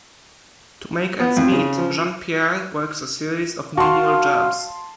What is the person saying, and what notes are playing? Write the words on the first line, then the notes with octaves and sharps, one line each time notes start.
To make ends meet, Jean-Pierre works a series of menial jobs.
B3
F2
C#3
F3
F#4 F5 A5 C6